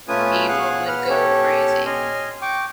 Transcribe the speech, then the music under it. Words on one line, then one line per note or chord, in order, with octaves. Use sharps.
People would go crazy.
A3 C#4 F4 B4 G#5 D#6
G#4 F5 F#5 G#5 F#6
B4 F#5 F6
C#4 G4 A4 C#5
D#5 G#5 C6 F6
G5 C#6 D6